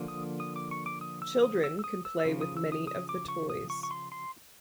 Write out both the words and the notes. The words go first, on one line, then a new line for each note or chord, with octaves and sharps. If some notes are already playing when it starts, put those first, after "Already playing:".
Children can play with many of the toys.
Already playing: D3 F3 A#3
D#6
D#6
D6
C#6
D6
D#6
E6
D#6
E6
E6
D#6
E6
E6
C#3 F3
D#6
E6
D#6
D#6
D6
C#6
D#6
C#6
C#6
C6
C6